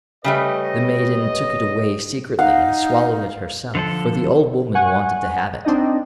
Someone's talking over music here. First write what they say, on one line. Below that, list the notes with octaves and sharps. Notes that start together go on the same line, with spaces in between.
The Maiden took it away secretly and swallowed it herself, for the Old Woman wanted to have it.
C#3 G3 A3 B4 C#5 D#5
D#4 F5 F#5
D3 F3 A4
F#5 G#5 C#6 F#6
C4 D4 D#4 D#5